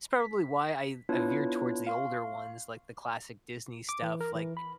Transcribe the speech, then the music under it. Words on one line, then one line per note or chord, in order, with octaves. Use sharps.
is probably why I I veered towards the older ones, like, the classic Disney stuff, like,
B6
B3 D4 E4 F4 B4 C#5
F5 C6 C#6
D6
E3
A#4
E3
B5